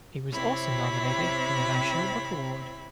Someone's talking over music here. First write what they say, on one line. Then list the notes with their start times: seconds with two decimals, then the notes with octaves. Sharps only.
It was also nominated for a National Book Award.
0.31 C3 C4 E4 C#5 B5